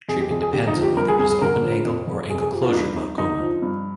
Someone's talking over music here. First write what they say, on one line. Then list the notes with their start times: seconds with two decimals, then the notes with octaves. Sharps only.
Treatment depends on whether it is open-angle or angle-closure glaucoma.
0.09 F2 G#4
0.20 G4
0.31 F2 G#4
0.42 G#4
0.53 D3 G4
0.67 D#4
0.75 F3
0.83 G4
0.97 G2 A#4
1.08 G#4
1.19 G2 G#4
1.30 G#4
1.41 D3 A#4
1.63 F3
1.85 F2
2.07 F2
2.30 C3 G#4
2.40 G#4
2.52 F3 G4
2.63 F4
2.69 D4
2.73 G2 D#4
2.96 G2 D#4
3.18 D3 D#4
3.40 F3
3.62 G2